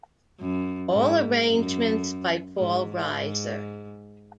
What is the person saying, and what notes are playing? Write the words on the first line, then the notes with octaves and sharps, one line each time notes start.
All arrangements by Paul Riser.
F#2
G#2
F#2
G#2
G#2